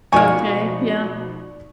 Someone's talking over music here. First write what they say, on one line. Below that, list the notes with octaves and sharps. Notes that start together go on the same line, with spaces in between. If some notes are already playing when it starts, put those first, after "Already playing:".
Okay, yeah.
B2 F3 A#3 D#4 D5 G#5 C#6